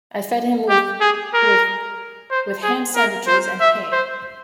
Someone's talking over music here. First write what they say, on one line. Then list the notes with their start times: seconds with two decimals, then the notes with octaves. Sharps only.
I fed him with—with—with Ham-sandwiches and Hay.
0.69 G4
1.01 G#4
1.34 A#4
2.30 C5
2.63 G#4
2.95 A#4
3.27 C5
3.60 E5
3.92 C5